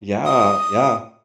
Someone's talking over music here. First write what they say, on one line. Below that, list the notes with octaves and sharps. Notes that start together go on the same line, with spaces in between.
Yeah, yeah.
D#6